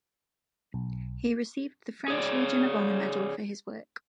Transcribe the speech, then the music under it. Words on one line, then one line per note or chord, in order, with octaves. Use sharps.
He received the French Legion of Honor medal for his work.
B1
G#4 C#5 D5